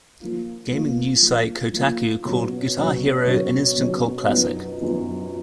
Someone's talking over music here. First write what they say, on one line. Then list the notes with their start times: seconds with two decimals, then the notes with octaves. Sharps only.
Gaming news site Kotaku called "Guitar Hero" an "instant cult classic".
0.20 F3 A#3 F4
0.71 F3 A#3 F4
1.22 F3 A#3 F4
1.74 F3 A#3 F4
2.25 B2 F#3 C#4
2.76 B2 F#3 C#4
3.27 B2 F#3 C#4
3.78 B2 F#3 C#4
4.29 F#2 F3 B3 D#4
4.80 F#2 F3 B3 D#4